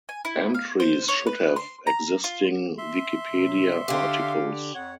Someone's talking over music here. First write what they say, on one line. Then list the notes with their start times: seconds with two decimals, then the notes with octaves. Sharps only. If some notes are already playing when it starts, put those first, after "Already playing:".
Entries should have existing Wikipedia articles.
0.09 G#5
0.25 E4
0.54 F5
0.80 C5
1.08 C#5
1.26 B4
1.56 C6
1.87 A#5
2.24 F4
2.78 E5 C6
3.31 C3 F#3
3.88 D3 G4 F5
4.74 F2 C#5 F#5